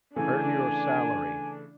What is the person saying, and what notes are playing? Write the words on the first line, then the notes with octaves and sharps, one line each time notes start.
"Earn your salary!"...
C#3 E3 A3 D4 G#5